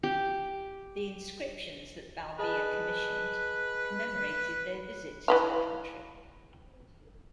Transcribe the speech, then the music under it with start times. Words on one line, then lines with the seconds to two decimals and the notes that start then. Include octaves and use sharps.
The inscriptions that Balbilla commissioned commemorated their visit to the country.
0.03 G4
2.39 G#4 B4 D#5 A5
5.28 E3 B4 F5